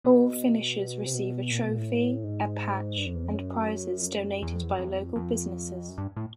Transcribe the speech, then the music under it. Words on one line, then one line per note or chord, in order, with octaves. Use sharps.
All finishers receive a trophy, a patch, and prizes donated by local businesses.
B2
C3
B2
A#2
B2
A#2
A2
G#2
G2
F2
E2
F2
F#2
F2
F#2
E2
F2
E2
F#2
F2
E2
F2
F2
F#2
G2
A2